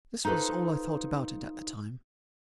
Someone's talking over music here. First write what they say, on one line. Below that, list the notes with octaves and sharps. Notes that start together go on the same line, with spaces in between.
This was all I thought about it, at the time.
D#4 F4 A4 B4 C5